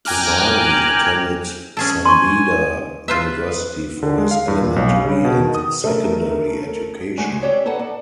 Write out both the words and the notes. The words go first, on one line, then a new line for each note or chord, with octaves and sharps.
Umali attended San Beda University for his elementary and secondary education.
G5 G#5 A#5 D6 F6 F#6
C#4 G#4 A4
G#5 C6 C#6
F4 B4 C5 E5
D3
G#3
F5
G2
A#2
B1
F5
C#3
B2
D#3
D#6
A3 A#4
D2 G#3 A3 F#4
C4 G4 C#5 D5
D#4 A4 B4 F#5 A5
D5